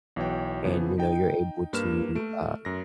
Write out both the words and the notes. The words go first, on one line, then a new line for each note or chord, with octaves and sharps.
and, you know, you're able to, uh,
B1 E3 F#4 C#5 G5
C#3 E3 F3 B3
D#4 G5
G2 A#3 B4 F6 E7
A3 D7
F#2 A#6